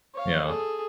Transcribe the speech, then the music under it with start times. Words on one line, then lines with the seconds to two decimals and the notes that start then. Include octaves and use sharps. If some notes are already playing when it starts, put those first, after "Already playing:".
you know
0.15 C#5 F5
0.46 G#4 A4